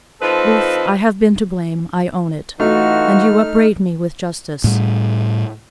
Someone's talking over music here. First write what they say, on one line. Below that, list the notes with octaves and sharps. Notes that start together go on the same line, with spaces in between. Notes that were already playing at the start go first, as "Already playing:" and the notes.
Booth, I have been to blame, I own it; and you upbraid me with justice.
F3 C4 D#4 A4 B4
E3 A3 D#4 F4 F#4 F6
A2 G3